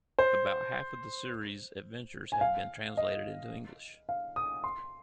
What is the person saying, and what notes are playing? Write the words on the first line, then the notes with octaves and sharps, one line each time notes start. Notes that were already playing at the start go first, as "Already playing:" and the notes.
About half of the series' adventures have been translated into English.
C5
G#5
F5
D#5
F5
D#6
C6